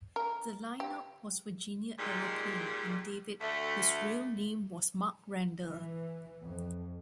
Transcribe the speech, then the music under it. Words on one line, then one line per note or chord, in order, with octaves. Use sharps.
The line-up was "Virginia Aeroplane" and "David", whose real name was Mark Randall.
A#4
G4
A#2 D#3 G3 G#3
D2 A3
E3
F2